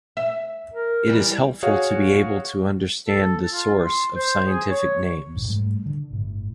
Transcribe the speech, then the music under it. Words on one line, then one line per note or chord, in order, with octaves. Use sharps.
It is helpful to be able to understand the source of scientific names.
E5
A#4
E3 G3
F#4 G#4 C#5 F5
A4
F4
C6
C5
G#4
C#5
A#1 F2 A2
G#2 G3 A3
D3
G1 A2